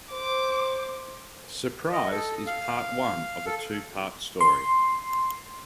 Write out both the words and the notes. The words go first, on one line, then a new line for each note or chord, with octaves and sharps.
"Surprise" is part one of a two part story.
C5 D6
D#5
A4
F5
A4
C6